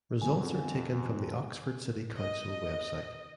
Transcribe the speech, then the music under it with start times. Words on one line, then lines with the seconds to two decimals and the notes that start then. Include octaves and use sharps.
Results are taken from the Oxford City Council website.
0.22 F2 D3 G3 B3 G#5
2.15 D#5